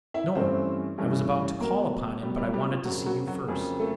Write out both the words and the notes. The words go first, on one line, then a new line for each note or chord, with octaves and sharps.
"No; I was about to call upon him, but I wanted to see you first."
E4 E5
G2 E3 A3 C4 C#4 C5
G2 E3 A3 C#4
A2 F#3 A#3 B3 A#4
A2 F#3 G3 B3 G4
G3 G4
G3 G4
F4
F2 C#3 F#3 A#3 F#4
F#3 F#4
F#3 F#4
F2 C#3 F#3 G#3 A#3 G#4
A3 A4